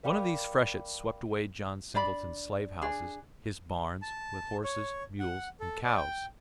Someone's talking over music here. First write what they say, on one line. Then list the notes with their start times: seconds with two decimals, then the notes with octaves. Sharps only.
One of these freshets swept away John Singleton's slave houses, his barns, with horses, mules and cows.
0.03 A#4 D5 F5 G5 B5 D6
1.94 D4 D5 B5
2.82 D4 G#4
4.02 A5
4.64 C#5
5.20 F#5
5.60 A4
5.84 D5
5.97 G5